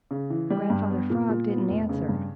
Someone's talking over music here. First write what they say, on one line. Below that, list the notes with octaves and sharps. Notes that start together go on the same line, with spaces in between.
Grandfather Frog didn't answer.
C#3
E3
G3
G2
B3
A#2
A#2
B3
F1
C#3
G2